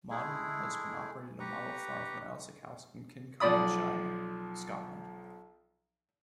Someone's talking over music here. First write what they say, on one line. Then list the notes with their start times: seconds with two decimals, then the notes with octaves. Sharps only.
Maud and her husband operated a model farm from Elsick House, in Kincardineshire, Scotland.
0.10 G#3 A3 E4 G#4
1.40 G4 B4 A#5 C#6
3.40 B1 F3 D5 B5 D#6